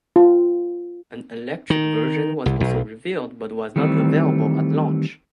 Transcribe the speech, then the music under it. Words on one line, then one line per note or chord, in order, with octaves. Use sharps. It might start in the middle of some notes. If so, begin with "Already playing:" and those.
An electric version was also revealed but was not available at launch.
F4
D#3
C2
B1
D#3 E3 G3 A3 C4